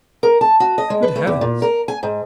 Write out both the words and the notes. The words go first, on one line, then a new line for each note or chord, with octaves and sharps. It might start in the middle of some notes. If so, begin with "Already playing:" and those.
Good heavens!
A#4
A5
F#4
D#5
G#3
B4
A3
E2
A#2
A#4
G#5
G#2